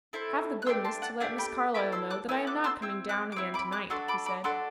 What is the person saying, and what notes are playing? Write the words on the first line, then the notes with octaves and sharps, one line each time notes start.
"Have the goodness to let Miss Carlyle know that I am not coming down again to-night," he said.
C4 E4 A4
F#6
A3 D4 G4 C6 E6
A5 C6
F#5 A5
A3 D4 G4 D5 F#5
G5 B5
B3 E4 A4 B5 D6
C6 E6
D6 F#6
B3 E4 A4 E6
D6 F#6
C6 E6
C4 E4 E6
D6 F#6
D6
C4 E4 E6
B5 D6
D6 F#6
D4 F#4 A4 C6 E6
B5 D6
B5 D6
D4 F#4 A4 C6 E6